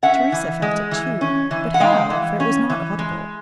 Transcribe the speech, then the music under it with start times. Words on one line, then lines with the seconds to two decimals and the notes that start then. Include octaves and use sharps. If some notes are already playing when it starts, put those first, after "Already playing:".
Theresa felt it, too,--but how? for it was not audible.
0.03 C#4 E5 F#5
0.32 E3
0.62 G#3
0.91 E3
1.21 C#4
1.51 E3
1.74 F#5
1.80 G#3 F5 G5
2.10 E3
2.40 C#4
2.70 E3
2.99 G#3